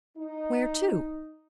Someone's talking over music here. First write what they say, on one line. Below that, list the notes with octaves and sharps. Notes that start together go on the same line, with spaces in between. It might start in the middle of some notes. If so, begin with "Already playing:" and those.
"Where to?"
D#4